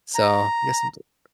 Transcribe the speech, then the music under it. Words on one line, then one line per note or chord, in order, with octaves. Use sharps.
So, yes, I'm doing work
A#5